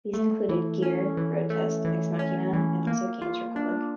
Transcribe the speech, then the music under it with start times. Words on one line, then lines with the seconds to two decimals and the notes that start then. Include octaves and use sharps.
These included "Gear", "Roadtest", "ExMachina" and also "Games Republic".
0.14 A3
0.49 E3
0.83 C#4
1.17 E3
1.50 A3
1.85 E3
2.19 C#4
2.53 E3
2.87 A#3
3.22 F4
3.56 D4